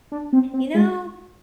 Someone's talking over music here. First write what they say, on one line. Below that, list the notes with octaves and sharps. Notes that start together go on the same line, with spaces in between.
"You know,
D4
C4
C4
G#3